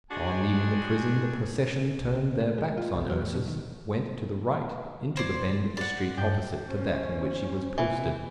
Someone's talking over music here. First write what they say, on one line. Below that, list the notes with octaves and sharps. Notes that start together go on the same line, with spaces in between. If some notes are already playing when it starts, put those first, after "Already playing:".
On leaving the prison, the procession turned their backs on Ursus, went to the right, into the bend of the street opposite to that in which he was posted.
G#3 D4 F#4 G5 G#5
A#1
C#3
A2
G#3
F4
B1
F#3
A2
B2
D#3
C5 D5 G#6 D7
D5 F#5
G2 G5
C#4 C5
C3 E3